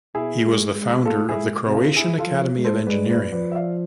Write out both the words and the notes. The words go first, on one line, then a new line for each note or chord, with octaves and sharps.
He was the founder of the Croatian Academy of Engineering.
B2 E4 G#4
G#3
G#3
A3 F4 A4
E4 G#4
G#3
C3
F4
E4 G#4
F4 A4
F3
G#3
A4 C5
G#3 B4 D5
B4 D5
F3 B4 D5
E5
D5 F5